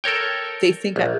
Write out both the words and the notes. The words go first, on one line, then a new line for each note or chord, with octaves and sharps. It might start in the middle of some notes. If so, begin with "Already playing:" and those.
they think I
A4 A#4 C#5 G5
A#1